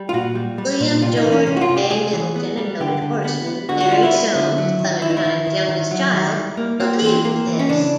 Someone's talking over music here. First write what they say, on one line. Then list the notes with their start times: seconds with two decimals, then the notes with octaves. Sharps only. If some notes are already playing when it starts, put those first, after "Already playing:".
William George "Bay" Middleton, a noted horseman; Mary Soames, Clementine's youngest child, believed this.
Already playing: G3
0.09 F4
0.13 A#2 F#4
0.35 G3
0.58 G3
0.80 A#2
1.02 C3 F4
1.17 D#4
1.25 E3
1.32 C#4
1.46 C3 C#4
1.57 F#4
1.61 F4
1.69 C3
1.76 G4
1.91 C3 G#4
2.13 E3
2.36 B3
2.57 G3
2.80 D3 G4
3.02 D3
3.25 B3
3.46 B3
3.69 D3 F#4
3.80 F#4
3.91 G3 F4
4.03 E4
4.14 B3
4.35 D3
4.58 F#3
4.80 D#3
5.02 D#3 E4
5.10 D#4
5.17 E4
5.25 D#3
5.47 D#3
5.69 D#3
5.91 F#3
6.13 D#3
6.36 G3
6.57 A#3
6.80 A#3 C4
7.02 E3 C4
7.25 A#3
7.47 E3
7.59 C#4
7.69 C#3 D4